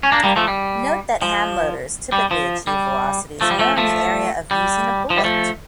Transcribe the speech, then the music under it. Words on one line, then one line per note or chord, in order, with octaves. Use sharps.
Note that handloaders typically achieve velocities more in the area of using a bullet.
C#4
A#3 D4
G3 A#3
F3 A3
G3
F3
G3
F3
G3
F3 A3
G3
F3 A3
F3 A3
G3
F3
G3
F3 A3